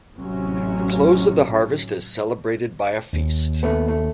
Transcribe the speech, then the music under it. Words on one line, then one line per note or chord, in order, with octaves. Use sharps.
The close of the harvest is celebrated by a feast.
A1 C3 F#3 C#4
D#2
A3 B3
A3